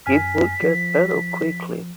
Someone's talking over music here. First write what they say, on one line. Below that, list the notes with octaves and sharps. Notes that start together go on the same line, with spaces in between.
It will get better quickly.
F#2 G#5 F6 B6
F3